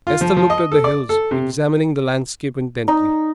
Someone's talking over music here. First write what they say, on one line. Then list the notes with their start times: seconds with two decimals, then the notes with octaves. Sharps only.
Esther looked at the hills, examining the landscape intently.
0.07 F4
0.21 F3
0.37 F3
0.50 D#5
0.72 A4
0.84 D5
1.09 A4
1.31 C3
2.88 D#4